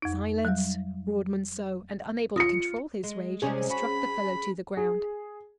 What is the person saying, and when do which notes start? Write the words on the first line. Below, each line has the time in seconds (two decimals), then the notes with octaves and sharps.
"Silence!" roared Monceux; and, unable to control his rage, he struck the fellow to the ground.
0.02 F2 D#4
0.45 F#3 G3
2.36 F4 D#6 A#6 C#7
3.04 G#3
3.42 C3 G3 G#3 C#4 G#4
3.70 F#4 B5
4.77 G#4